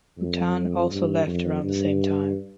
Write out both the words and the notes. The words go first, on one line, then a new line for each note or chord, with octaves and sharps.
Rutan also left around the same time.
F2
G2
F2
G2